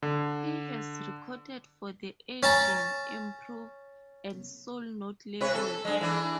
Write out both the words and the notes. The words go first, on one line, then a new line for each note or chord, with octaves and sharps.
He has recorded for the Asian Improv and Soul Note labels.
D3
C#4 A5 A#5
C3 B4 C#5
A4
G2 G#3
E3 D4